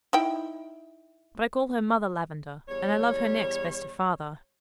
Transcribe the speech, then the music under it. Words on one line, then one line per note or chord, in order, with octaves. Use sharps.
But I call her 'Mother Lavendar' and I love her next best to father.
D#4 E4 G5
E2 G3 C#5